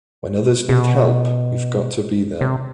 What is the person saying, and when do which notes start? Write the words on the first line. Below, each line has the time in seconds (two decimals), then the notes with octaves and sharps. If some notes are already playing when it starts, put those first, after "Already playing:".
When others need help, we’ve got to be there.
0.69 B2
2.41 C3